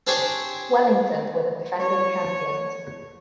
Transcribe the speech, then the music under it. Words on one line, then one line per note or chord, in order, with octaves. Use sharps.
Wellington were the defending champions.
C4 D4 G4 G#4 C5 C#5
C#5